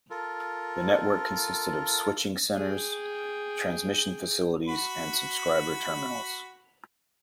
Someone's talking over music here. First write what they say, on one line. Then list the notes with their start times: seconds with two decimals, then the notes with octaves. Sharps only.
The network consisted of switching centres, transmission facilities and subscriber terminals.
0.10 F4 A4 A#4
2.55 G#4 G5
4.68 F#4 B5